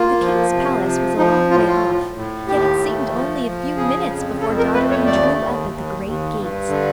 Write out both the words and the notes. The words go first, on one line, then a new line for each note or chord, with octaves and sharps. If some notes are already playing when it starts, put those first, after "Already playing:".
The king's palace was a long way off, yet it seemed only a few minutes before Dotterine drew up at the great gates.
Already playing: A#3 F4
F3
C3
F3
F3 D#4
A2 F4
F4
A2
A2
D#2 G4
A3
F3
F3
C#3 G#4
F2
F2 A4
A#4
A3 B4
C#5
D#2 D5
D#2
D#2
D#2
G2
D3